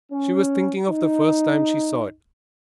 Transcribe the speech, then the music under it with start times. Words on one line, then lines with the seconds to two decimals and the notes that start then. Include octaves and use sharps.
She was thinking of the first time she saw it.
0.11 C#4
0.89 D#4